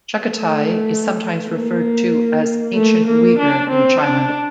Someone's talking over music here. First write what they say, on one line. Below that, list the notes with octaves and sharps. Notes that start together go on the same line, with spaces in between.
Chagatai is sometimes referred to as ‘ancient Uyghur’ in China.
A3
A#3
A3
A#3
D4
C4
D4